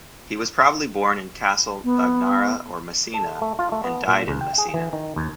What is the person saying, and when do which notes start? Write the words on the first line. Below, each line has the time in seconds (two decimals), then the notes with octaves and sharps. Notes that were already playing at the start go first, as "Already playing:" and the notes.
He was probably born in Castle Bagnara or Messina and died in Messina.
1.84 B3
3.14 A4
3.41 A3
3.59 F4
3.72 A3
3.84 B3
4.08 A#2
4.28 C#2
4.41 G5
4.58 G#4
4.74 E3
4.93 D#3
5.16 D#2